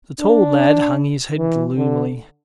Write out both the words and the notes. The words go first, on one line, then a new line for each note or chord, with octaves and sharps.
The tall lad hung his head gloomily.
D4
E3
D3